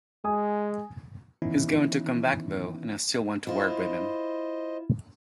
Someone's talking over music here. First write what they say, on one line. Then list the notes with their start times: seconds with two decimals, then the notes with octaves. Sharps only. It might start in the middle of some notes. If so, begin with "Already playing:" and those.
He's going to come back though and I still want to work with him.
0.24 G#3 G#5 D#6
1.42 D#3 E3 B3 C#4 D#4 E4
3.47 E4 F4 C5 D#5